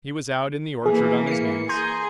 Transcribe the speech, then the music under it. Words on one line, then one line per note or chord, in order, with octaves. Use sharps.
He was out in the orchard on his knees.
E3 A#3 G#4
C7 C#7
G#4 A#5 C6 G6